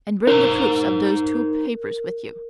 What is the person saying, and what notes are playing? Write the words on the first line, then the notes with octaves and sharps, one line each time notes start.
And bring the proofs of those two papers with you.
D#4 A#4 C5 A#5